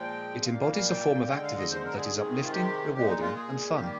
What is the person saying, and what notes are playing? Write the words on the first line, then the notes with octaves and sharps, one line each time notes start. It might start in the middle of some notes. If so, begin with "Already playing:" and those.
It embodies a form of activism that is uplifting, rewarding and fun.
Already playing: A#2 F3 G#3 G5
A#2 G3 A#3 F5
F5
F5
G5
D3 G#3 G5
F5
D#5
C5
A#4
G#4
C3 D#3 G#3
F4
G4
A#2 G#3 G4
D#4
F4
G#4
D#3 G3 A#3 G4